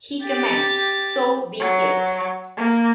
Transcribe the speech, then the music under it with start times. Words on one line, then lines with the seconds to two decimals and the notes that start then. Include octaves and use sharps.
He comments: So be it.
0.24 G4 A6
1.59 F#3
2.57 A#3